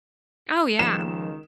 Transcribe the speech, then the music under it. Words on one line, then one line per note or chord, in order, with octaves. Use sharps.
Oh, yeah.
C#2 D#3 F3 E7